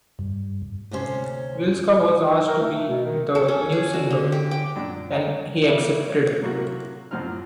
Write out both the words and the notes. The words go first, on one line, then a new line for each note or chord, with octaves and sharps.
Wilska was asked to be the new singer, and he accepted.
G2
D2 C3 C#4 C5
F#3
D#4
A#4
A3
A3
B2
D#3
A4
C#4
G#4
F#4
D3
G4
G5
F#2 A#2 D4
C#5 D#5 F#5 G5 A#5
C#3 B3 E5 B5 D6
F3 C#5
A2 C3 F#3 A#3 E4 F#4
F#2 A2 F3 C4 A#5 F6